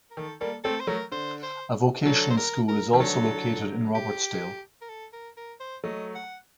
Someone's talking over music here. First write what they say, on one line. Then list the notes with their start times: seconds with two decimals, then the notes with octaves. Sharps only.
A vocational school is also located in Robertsdale.
0.11 A#4
0.17 D#3 A4
0.41 G3 A#3 A4
0.64 A3 C4 A4
0.80 C5
0.87 F#3 A3 A#4
1.12 D3 C5
1.43 C5
2.05 D3 F#3 A4
2.30 C5
2.37 A#4
2.69 A#4
2.93 D#3
3.00 D3 F#3 A4
3.95 G4
4.81 A#4
4.89 A4
5.13 A#4
5.37 A#4
5.60 C5
5.84 F#3 A3 D#5
6.15 F#5